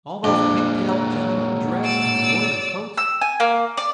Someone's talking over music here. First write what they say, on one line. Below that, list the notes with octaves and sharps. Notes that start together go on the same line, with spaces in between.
All those pigtailed gentlemen dressed in embroidered coats.
F2 A#2 G#3 D4
F#3
D5 E6
E6
G#5
A#3
D5